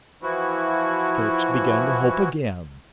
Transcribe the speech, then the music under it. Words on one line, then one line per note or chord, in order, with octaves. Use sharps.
Fix began to hope again.
E3 F3 E4 F#4